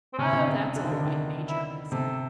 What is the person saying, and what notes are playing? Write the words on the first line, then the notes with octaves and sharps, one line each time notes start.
"Oh, that's all right, Major," he said.
C4
C3 C#4
C#3
C3
C#3
D3
D#3
D3
D#3
E4
C3 A4